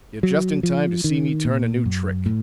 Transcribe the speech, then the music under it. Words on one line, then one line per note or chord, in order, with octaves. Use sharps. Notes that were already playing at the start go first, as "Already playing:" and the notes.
You're just in time to see me turn a new trick.
F#3
F3
D#3
A#2
F#2
A2